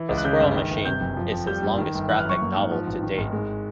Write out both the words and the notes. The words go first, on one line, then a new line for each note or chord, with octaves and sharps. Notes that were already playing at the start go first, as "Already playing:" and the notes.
"The Squirrel Machine" is his longest graphic novel to date.
Already playing: E3
C#2
F#6
C#3 G6
G1
D#3
G1
C3 G6
F#1
F3
F2
G3 G6
G2
D#3
G1
E3 F#6
F6
F#2 C#6
A#3
G#2
F3
A1
D#3
G#1
G#3